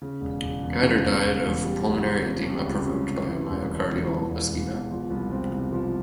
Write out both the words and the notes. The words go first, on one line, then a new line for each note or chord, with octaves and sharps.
Gaidar died of pulmonary edema, provoked by myocardial ischemia.
C#3
E1
E1
E2
C#3
E1
E1
E2
G3
C#2
C#4
C3
G3
C#2
C#4
C3
E3
E1
E1
E2
E3
E1
E1
E2
F3
C2
C4
C3
F3